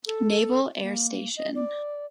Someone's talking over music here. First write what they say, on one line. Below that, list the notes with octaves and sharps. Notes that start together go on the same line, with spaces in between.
Naval Air Station.
A4
A#3
D#5
D5